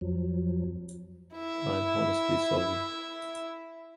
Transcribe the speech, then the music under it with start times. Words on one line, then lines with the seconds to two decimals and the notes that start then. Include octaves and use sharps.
I'm honestly sorry.
0.01 F2 F3 F#3
1.34 E4 E5